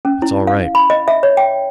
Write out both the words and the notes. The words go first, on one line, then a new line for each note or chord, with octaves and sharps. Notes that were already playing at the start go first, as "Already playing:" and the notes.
It's all right.
C#4
E4
F5
B5
D#5
E5
C#5
G5